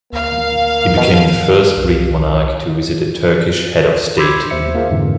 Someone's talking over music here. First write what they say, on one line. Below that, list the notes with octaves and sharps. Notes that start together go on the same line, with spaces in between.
He became the first Greek Monarch to visit a Turkish Head of State.
D2 A#3 F5
B2 D#3
C2
B5 C6 D6 E6 G6 G#6
D#2 C5 E5 C#7
A#3 F4 G#4 A#4 C5 E5
F2 G#2 D3 E3